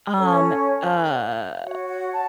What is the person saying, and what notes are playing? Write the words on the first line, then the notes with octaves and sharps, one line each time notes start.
Um, uh,
C#4 A4 C#5
F#4 C#5 F#5
F#5
A5